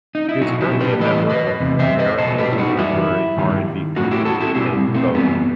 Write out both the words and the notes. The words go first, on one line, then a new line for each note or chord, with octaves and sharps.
She is currently a member of American contemporary R and B group En Vogue.
D#4
E4
B2 F#3 D#4 F#4
E4 G4
G4 B4
A2 E3 G3 B4 D#5
B4 D#5
E2 C3
C5 E5
B4 D#5
B2 F#3 A4 C5
G4 B4
E4
D#4 F#4
F#2 E3 G3 E4
G2 D#3 G3
A2 F#3 D#4 F#4
E4 G4
F#4 A4
E4 G4
B2 G3 C4 E4
A3 C4
F#2 E3 G3 B3